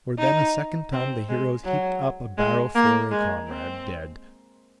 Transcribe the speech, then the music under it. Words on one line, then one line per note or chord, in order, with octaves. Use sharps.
For then a second time the heroes heaped up a barrow for a comrade dead.
D#4
C4
G#3
F#3
G#3
A#3
G#3
C4